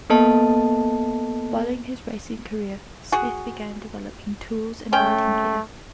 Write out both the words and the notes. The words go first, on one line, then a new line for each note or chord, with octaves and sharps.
Following his racing career, Smith began developing tools and riding gear.
A#3 B3 A4 D#5 A5
F#4 G#4
A3 C#4 G5